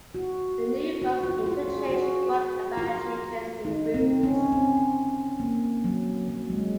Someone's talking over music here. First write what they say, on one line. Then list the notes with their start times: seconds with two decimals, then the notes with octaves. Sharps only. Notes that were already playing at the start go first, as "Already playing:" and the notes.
The new bus interchange brought about changes in routes.
0.15 F#4
1.02 F#4
1.24 F4
1.46 F4
1.68 G#4
1.90 F#4
2.77 F4
3.65 D#4
3.94 C4
4.23 C#4
4.52 C4
5.40 A#3
5.84 F#3
6.28 F#3
6.50 G#3